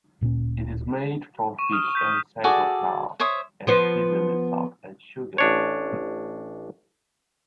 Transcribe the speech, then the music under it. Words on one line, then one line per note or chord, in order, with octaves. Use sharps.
It is made from fish and sago flour and seasoned with salt and sugar.
D1 A#2 B3 C#4
C#6 D#7 E7
D#6 F6
G6 B6
F#4 G#4 A4 D5
C5 C#5 E5 D#6
F3 B3 C5
A1 D4 C#5